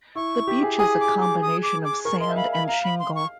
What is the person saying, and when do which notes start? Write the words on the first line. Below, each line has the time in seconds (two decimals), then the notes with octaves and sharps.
The beach is a combination of sand and shingle.
0.15 E4 C#6
0.47 G4
0.63 G#4
0.79 G#4 D#6
1.00 D6
1.21 D6
1.42 D#6
1.63 D6
1.85 D6
2.05 A#4 C#6
2.20 D#5 C6
2.28 E5
2.36 F5 B5
2.52 B5
2.68 F5 A#5
2.84 B5
3.00 C6
3.15 C#6